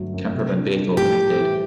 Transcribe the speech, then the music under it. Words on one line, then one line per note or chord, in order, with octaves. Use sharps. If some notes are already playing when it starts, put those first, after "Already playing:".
Camper Van Beethoven Is Dead.
Already playing: G1 F#3 A3
F#2
C3
D4
G3
A2 G4
G3
E3